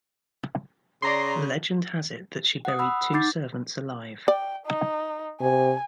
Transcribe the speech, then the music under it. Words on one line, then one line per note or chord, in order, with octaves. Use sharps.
Legend has it that she buried two servants alive.
C#3 D5 A#5 C6
F#5 D#6
F#5 B5 E6
D#4 F#5 D6 G6 A6 C7
D5 G5
D#4
C3 G#5